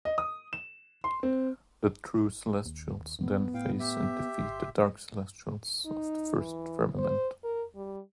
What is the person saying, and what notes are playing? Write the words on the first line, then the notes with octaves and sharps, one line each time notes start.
The True Celestials then face and defeat the Dark Celestials of the First Firmament.
D#5
D#6
E7
C6
C4
D#2
F#2 B3
A2 F5 G5
G4 E5
G1 C6
D#4
E3
C5
A#4
G3